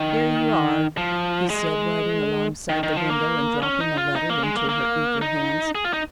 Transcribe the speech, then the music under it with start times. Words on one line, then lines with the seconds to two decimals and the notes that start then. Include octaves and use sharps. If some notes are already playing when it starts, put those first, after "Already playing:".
"Here you are," he said, riding alongside the window and dropping the letter into her eager hands.
Already playing: D#3
0.97 F3
1.50 G#3
2.69 D#3
2.83 D#3
2.96 F3
3.10 A#3
3.63 C#4
3.80 D#4
3.98 F4
4.16 D#4
4.30 A#3
4.43 G#3
4.56 A#3
4.69 A#3
5.22 D#4
5.75 G#4
5.85 F4
5.93 D#4